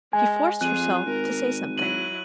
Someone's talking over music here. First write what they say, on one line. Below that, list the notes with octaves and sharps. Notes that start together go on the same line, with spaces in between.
She forced herself to say something.
G#3 G#5
F2 F4 G#4 F#6 D#7
G#1 A#4
F#3 E4 D#7 F#7